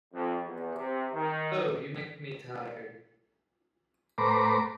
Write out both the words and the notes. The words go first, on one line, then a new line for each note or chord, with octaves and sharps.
Oh, you make me tired.
F2
E2
C3
D#3
A2 B4 C5 A#5 D6